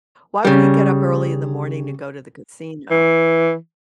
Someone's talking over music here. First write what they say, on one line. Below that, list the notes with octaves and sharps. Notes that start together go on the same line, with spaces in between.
Why would he get up early in the morning to go to the casino?
C#3 G3
E3